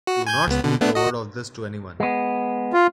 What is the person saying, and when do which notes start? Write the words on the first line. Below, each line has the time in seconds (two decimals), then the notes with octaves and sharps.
Do not speak a word of this to any one.
0.07 F#4
0.27 G#5 G6 G#6
0.47 C#2 B3
0.64 B2 D3
0.81 A3 B3 D4
0.95 F#4 D#5
2.00 G#3 B3
2.73 F4